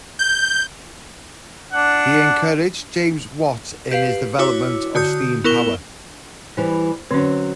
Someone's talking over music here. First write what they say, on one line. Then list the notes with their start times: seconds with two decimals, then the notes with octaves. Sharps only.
He encouraged James Watt in his development of steam power.
0.19 G6
1.73 D4 F#5
3.91 G4 B4 F5 C7
4.39 E4 F#4 C#5 D6 E6
4.95 D3 F#4 D#6 G6
5.44 B3 E4 A#4 C#6 E7 G7
6.57 E3 G3 C5
7.11 D3 F#3 C4 C#4